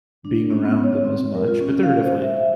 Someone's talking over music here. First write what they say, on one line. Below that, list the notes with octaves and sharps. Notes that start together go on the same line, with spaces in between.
being around them as much, but there are definitely
D4
C#4
B3
C#5
C4
A#4
F4
C#4
F5
C5
E5
E5